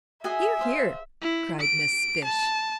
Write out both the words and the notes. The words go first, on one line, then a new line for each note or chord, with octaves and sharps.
"Hear! hear!" cried Miss Fish.
F#4 G#4 D#5 E5 G#5
G#4 C5 F5
E4
D7
A5